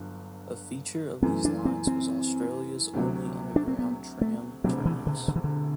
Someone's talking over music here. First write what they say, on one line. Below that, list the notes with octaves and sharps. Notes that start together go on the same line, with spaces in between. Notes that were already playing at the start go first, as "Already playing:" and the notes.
A feature of these lines was Australia's only underground tram terminus.
Already playing: G1 G2 F#3
F#2 E3 A3 C4
D4
C4
C4
D2 C3 F#3
D4
C4
B3
A3
E1 D2 C3 F#3
E3
D3
D3
E3
D3